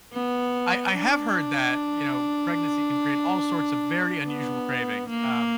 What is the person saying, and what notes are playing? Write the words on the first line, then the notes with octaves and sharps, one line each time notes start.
I I have heard that, you know, pregnancy can create all sorts of very unusual cravings, um,
B3
D4
B3
A#3